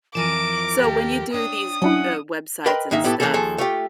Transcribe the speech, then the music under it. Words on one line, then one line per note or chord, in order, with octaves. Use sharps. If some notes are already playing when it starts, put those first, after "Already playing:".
So, when you do these, uh, websites and stuff,
F2 E3 F3 A#4 D6 D#7 E7
D#2 F3 G4 A4
D4 C#5 G5 D#6
F#3 C#4 D4 E4 F#5
A#4 B4 D#5 G5 B5 C6
G#2 D#3 A#3 D#4 E5
A2 B3 E4 G4 A4
E3 A#3 C#4 G#4 A4
D#2 F3 G#4 A4
A3 F4 G4